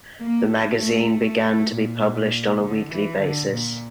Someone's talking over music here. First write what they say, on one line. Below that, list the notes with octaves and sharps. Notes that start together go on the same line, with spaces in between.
The magazine began to be published on a weekly basis.
A#3
A3
A3
A#2
D3
E3
D3
A#2